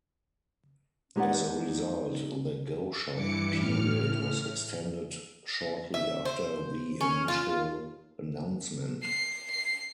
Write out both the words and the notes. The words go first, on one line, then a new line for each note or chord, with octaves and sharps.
As a result, the "go-shop" period was extended shortly after the initial announcement.
G#3 D#4 G4 B4 D5 F#5
G2 E3 D6 C#7
A2 F6
E5
C5
C#4
F4
C7
C7